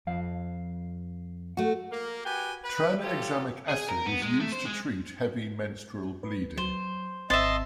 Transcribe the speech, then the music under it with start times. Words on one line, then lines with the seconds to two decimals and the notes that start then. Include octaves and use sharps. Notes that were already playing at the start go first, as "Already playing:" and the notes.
Tranexamic acid is used to treat heavy menstrual bleeding.
0.07 F2 F5
1.57 A3 F#4 F#5
1.91 A#3
2.25 F#4 G4 B4 G5 G#5
2.63 B4
3.03 F#3 A3 F4 G4 A4
3.69 G#4
3.88 A#4
4.06 B3
4.22 G#3
4.40 A3
4.52 C5
4.65 G#3
6.23 B4
6.58 F#3 C5
7.30 G#1 C4 D#5 E5 A5 C6